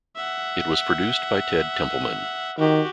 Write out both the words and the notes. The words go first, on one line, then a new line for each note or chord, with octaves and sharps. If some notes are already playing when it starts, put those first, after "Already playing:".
It was produced by Ted Templeman.
E5 F#5
D#3 F#4 G4